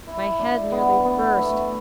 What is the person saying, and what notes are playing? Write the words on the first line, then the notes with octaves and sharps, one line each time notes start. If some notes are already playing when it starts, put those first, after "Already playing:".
My head nearly burst.
E4
D4
B3
B3
A3